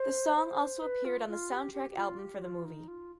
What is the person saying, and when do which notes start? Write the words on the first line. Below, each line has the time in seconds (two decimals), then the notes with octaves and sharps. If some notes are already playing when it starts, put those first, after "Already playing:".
The song also appeared on the soundtrack album for the movie.
Already playing: C5
0.36 C5
0.82 B4
1.05 F4
1.28 F4
1.51 G4
1.74 G4
1.91 G4
1.97 F4
2.19 G4
2.42 F4
2.65 D#4
2.88 F4